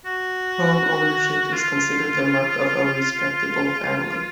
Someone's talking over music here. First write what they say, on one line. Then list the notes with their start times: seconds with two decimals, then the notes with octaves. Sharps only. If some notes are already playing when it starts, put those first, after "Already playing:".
Home ownership is considered the mark of a "respectable" family.
0.05 F#4
1.53 F4